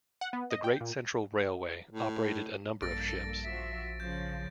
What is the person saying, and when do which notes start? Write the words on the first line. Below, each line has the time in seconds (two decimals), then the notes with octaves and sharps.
The Great Central Railway operated a number of ships.
0.21 F#5
0.33 B3
0.51 D#5
0.64 G5
0.81 A#2
1.92 A2
2.82 A#1 G2 A#3 A4 A6 A#6 D7
3.45 F3 F#4 E5
4.00 C#3 F3 G6